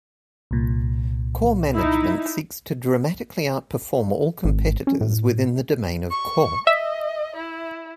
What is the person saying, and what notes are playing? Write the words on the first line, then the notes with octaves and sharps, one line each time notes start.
Core management seeks to dramatically outperform all competitors within the domain of core.
C2 A#2
D#4 E4
G#1
C#4
A2
C#6
D#5 E5
E4